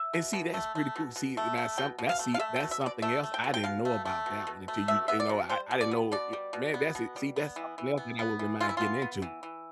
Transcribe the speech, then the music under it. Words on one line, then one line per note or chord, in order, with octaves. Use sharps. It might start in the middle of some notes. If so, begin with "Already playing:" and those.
And see, that's pretty cool, see, and that's some that's see, that's something else, I didn't know about that one until you, eh know, I I didn't know, y man, that's it see, that's something else that I wouldn't mind getting into,
Already playing: E5
B2
B2
A3
A3
B2
B2
A3
A3
B2 G5
B2
F5
A3
F5
A3 E5
G5
B2
E5
B2
D5
A3 E5
A3
G5
B2
G5
B2 F5
A3
A3
B2
B2
A3
B2 E5
B3 E5
D5
B2
G3 C5
B2
D5
B3
B2 D5
G3
B2
B3
B2
G3
B3
E3
E3
B3
B3
E3
E3 F4
E4
B3 F4
B3
E3
E3